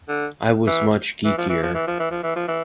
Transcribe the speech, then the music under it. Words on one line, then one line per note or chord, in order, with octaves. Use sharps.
I was much geekier.
D3
E3
E3
F3
E3
F3
E3
F3
E3
F3
E3
F3
E3